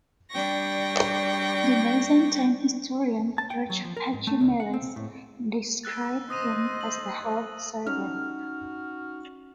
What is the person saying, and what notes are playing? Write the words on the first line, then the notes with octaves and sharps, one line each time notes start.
The Byzantine historian, George Pachymeres, described him as a "half-Serbian".
G3 D4 G5 C#6 A#6
A5
G5
F#3
F3
A#4
G#2
A3
C#2
F#5
C4
A2
E6 F#6 A6
C5 D#5 D#6 A#6 D#7
D#6 F#7
C#4 D#4 F#4 F6